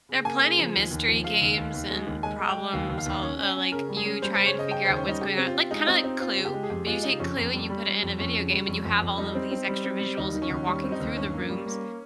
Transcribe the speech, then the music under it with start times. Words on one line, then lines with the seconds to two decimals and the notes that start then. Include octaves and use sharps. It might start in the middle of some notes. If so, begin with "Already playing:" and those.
there are plenty of mystery games and problems, all all, like, you try and figure out what's going on, like kinda like Clue, but you take Clue and you put it in a video game and you have all of these extra visuals and you're walking through the rooms,
0.09 C#3
0.25 A#3 G#5
0.42 C#3
0.58 F3
0.74 D#2
0.91 D#2
1.08 F3
1.24 C#3 F5
1.41 D#2
1.57 D#2
1.74 D#2
1.90 G#3
2.07 D#2
2.23 G#3 G#5
2.40 G#3
2.48 G5
2.57 G#3
2.73 D#2 F5
2.89 D#2
2.98 F5
3.06 D#2
3.22 C#4 C#5
3.39 C#4
3.56 C#4
3.72 C#3 A#4
3.89 G3
3.97 G#4
4.05 C#4
4.22 G3 C5
4.35 C5
4.39 C#3
4.46 C#5
4.55 C#3 D#5
4.71 C#3 G5
4.85 C5
4.88 D#2
4.96 C#4
5.05 G3 D#4
5.21 C#3 G4
5.37 C4
5.46 F4
5.54 C4
5.71 G#3 D#4
5.87 C4 D#4
6.04 C4 D#4
6.20 C4 F4
6.37 C#3
6.45 G4
6.53 G#3
6.63 G#4
6.70 F2 G4
6.86 G#3 F4
7.03 C#3 D#4
7.20 F2 C#4
7.36 F2
7.52 G3
7.69 G3
7.86 G3
8.03 F2
8.19 F2 C#4
8.36 C#3
8.52 G3
8.68 F2
8.85 F2
9.02 F2
9.18 G3 D#4
9.35 C4
9.51 C4
9.68 G3
9.84 C4
10.01 G3
10.17 D#2 D#4
10.34 D#3
10.42 C#4
10.50 D#2
10.66 G3 C#4
10.84 C4
10.92 D#4
11.00 D#2
11.17 G2 C#4
11.33 A#3
11.49 G3
11.66 A#3